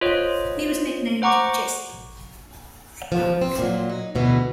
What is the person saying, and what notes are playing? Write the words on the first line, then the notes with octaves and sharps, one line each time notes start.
He was nicknamed "Jesse".
F4 C5 C#5 D#5
C5 F#5 A#5 C#6 D6
F3
C4
A#2 F#3
D#4
D2 B2 E3 B3